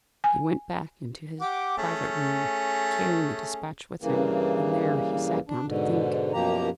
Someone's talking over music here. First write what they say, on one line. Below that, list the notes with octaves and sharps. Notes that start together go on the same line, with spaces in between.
He went back into his private room, carrying the despatch with him, and there he sat down to think.
G#5
G4 F#5 D6
A3 C#4 G#4
G2 C#3 E3 A#3
D4
G#2 B2 D3
F#2 B2 F3 A#3 G4 A#5